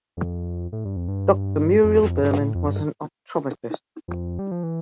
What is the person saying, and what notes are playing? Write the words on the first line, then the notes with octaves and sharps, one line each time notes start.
Doctor Muriel Berman was an optometrist.
F2
A2
G2
F2
G2
F2
F2
G2
A2
F2
G2
F2
G3
F3
E3